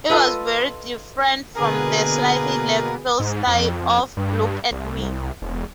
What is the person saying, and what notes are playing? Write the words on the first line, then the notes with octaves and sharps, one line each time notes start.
It was very different from the slightly leftfield style of 'Look at Me'.
F4 A4 B4 D#5
B2 D3 A#3 B3 G#4 A#4 B4
G#2
F2
G2
C2
E1